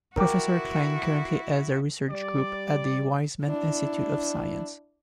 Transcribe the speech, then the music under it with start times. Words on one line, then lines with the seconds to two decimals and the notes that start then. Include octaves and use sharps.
Professor Klein currently heads a research group at the Weizmann Institute of Science.
0.16 E4 F#4 A#4 G5 D6
2.10 G3 D5
3.44 D4 E4